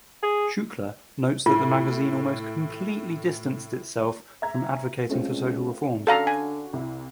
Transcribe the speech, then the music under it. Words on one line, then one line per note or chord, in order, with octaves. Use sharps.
Shukla notes that the magazine almost completely distanced itself from advocating for social reforms.
G#4
A2 F4
E5 A#5 G#6
C#2 A3 C4 F4
D3 C#4 D4 F#4 A4 F5 A#5
G#5
C2 E4